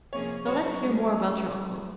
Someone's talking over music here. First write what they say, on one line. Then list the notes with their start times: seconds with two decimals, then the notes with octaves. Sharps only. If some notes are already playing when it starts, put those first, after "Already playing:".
"Now let's hear more about your uncle."
0.13 C3 F3 A#3 C#4 G#4 C#5
0.46 F#3 C4 F#4 C#5
0.81 F3 G#3 C#4 G#4